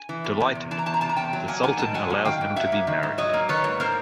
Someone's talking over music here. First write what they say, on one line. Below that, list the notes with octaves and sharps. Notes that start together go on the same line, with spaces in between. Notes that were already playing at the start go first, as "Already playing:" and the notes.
Delighted, The Sultan allows them to be married.
Already playing: G#5
E3
E2
C3
E2
E3 A5
A#5
E2 A5
A#5
C3 A5
A#5
E2 G5 A5
F#3
A#3 F#5 G#5
D#3 F#5 G#5
G#2 G5 A5
F#3 F#5 G#5
A#3
D#3 F5 G5
G#2
F#3 E5 F#5
A#3
D#3
G#2
F#3 C#5 D#5
A#3
D#3 B4 C#5
G#2
A#3 A#4 C5